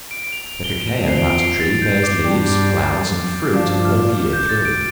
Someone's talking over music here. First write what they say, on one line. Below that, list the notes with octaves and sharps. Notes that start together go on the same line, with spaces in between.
The cacao-nut tree bears leaves, flowers, and fruit, all the year through.
D7
F7
G7
F2 F3 C4 F7
C7
D7
D7
C7
C7
A6
G6
D6
G2 G3 D4 G4 D5
G2 F3 D4 F4 D6
D6
F6
D6
G6
A6
D7